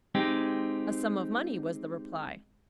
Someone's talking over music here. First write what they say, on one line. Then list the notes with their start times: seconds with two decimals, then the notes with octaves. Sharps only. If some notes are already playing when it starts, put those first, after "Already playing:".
"A sum of money," was the reply.
0.15 G#3 C4 D#4 G4